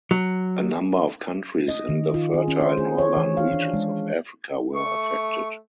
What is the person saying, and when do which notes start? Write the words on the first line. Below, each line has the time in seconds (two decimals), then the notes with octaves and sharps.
A number of countries in the fertile northern regions of Africa were affected.
0.11 F#3
1.68 D#5
1.89 D#3
2.14 F4
2.33 G#4
2.48 C#4
2.61 C5
2.77 G#4
2.98 C#5
3.17 E3
3.37 F5
3.53 D4
3.74 G#3
4.74 A3 C#6